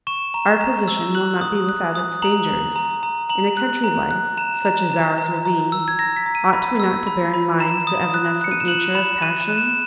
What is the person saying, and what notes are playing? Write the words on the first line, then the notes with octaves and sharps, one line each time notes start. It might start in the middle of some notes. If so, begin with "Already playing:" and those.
Our position will not be without its dangers; in a country life, such as ours will be, ought we not to bear in mind the evanescent nature of passion?
C#6 E7
A#5
A#5
E6
F#6 F#7
D#6
F#6
D#6
A#5 F#7
A#5
A#5
A#5
A#5 F#7
F#6
A#5
F#6
A#5 E7
A#5
A#5
A#5
A#5
E6
G#6
A#5 A#6
B6
A#5
D#7
B5
E6
B5
B5
A#5 E7
D#6
F#6
F#6 C#7
D#7
E7
F#6 F#7
B5 E7
F#6 D#7
D#7
E7
F#6
E7